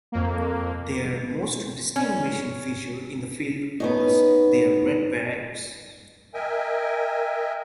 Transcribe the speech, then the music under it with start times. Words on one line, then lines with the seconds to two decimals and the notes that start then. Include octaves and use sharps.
Their most distinguishing feature in the field was their red berets.
0.12 F2 A#3
1.96 C#4
3.80 B3 C#4 D#4
6.33 A#4 D#5 E5 G5 G#5